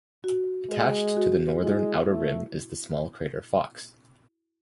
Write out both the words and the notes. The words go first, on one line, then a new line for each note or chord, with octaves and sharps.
Attached to the northern outer rim is the small crater Fox.
F#4
G#3
F#4
G#3 E4
A3